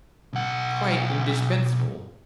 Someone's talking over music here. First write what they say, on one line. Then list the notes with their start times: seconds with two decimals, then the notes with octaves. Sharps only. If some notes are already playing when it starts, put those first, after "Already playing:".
"Quite indispensable."
0.33 B1 F#5